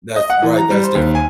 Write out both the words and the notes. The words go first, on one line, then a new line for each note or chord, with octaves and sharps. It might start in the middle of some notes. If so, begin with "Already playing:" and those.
That's right, that's different.
D#5
F#5
E3
A#5
G3
C5
D#2
G#5